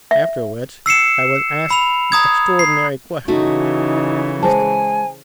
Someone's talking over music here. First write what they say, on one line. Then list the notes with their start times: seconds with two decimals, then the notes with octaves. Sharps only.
After which I was asked the extraordinary question: 'Mr.
0.11 E5
0.86 E6 C7 C#7 E7
1.71 B5 F7
2.12 A#5 D#6 G#6
2.59 C7
3.28 C#3 E3 A3 D#4 F#4
4.43 G#3 C5 G#5 A5